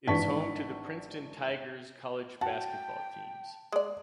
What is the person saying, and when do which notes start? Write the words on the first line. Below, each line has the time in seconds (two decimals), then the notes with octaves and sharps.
It is home to the Princeton Tigers college basketball teams.
0.08 G#1 E3 D4 A5 C#6 B6
2.41 F#4 G5 A5
3.72 G#3 D5